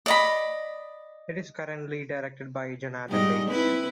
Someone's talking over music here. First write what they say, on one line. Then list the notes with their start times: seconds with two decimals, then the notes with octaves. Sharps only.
It is currently directed by Jonathan Dykes.
0.06 D5 D#5 B5
3.09 G#2 G3 D#5
3.50 C4 E4 B4